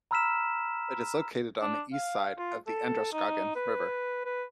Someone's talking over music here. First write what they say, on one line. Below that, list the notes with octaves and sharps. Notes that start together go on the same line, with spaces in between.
It is located on the east side of the Androscoggin River.
A#5 B5 E6 F6 B6 E7
D4
F5
F4
A4
D#4
B4
B4